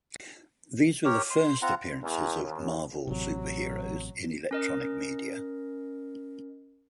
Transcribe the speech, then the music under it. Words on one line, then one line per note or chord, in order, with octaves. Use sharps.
These were the first appearances of Marvel superheroes in electronic media.
G4 A#4 C#5
C6
C4 F4 F#5 A#5
E2
D#2
A1 C3 F#3
C#4 A#4 D#5